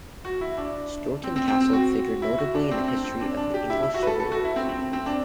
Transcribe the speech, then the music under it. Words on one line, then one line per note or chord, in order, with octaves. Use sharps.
Stourton Castle figured notably in the history of the English Civil Wars.
F#4
E4
D4
C4
C4
C4
C4
F#4
E4
F#4
D4
C4
C4
C4
D4
D4
G4
E4
E4
F#4
B4
A4
A4
F#4
E4
C4
C4
C4
D4